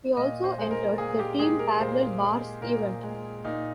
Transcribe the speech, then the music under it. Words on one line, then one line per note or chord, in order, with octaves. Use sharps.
He also entered the team parallel bars event.
A#2 D#5
C5
G#3 C5
A#4
A#2 G#4
G4
G#3 G#4
A#4
A#2 C5
G#3
A#2 A#4
G#3
A#2 D#4